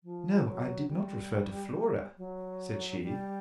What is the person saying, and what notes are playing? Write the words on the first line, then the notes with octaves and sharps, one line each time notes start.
"No, I did not refer to Flora," said she.
F3
F#3
G3
F#3
G3